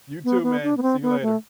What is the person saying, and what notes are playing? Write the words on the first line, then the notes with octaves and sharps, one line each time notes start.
You too, man. See you later.
B3
B3
D4
B3
C4
B3
A3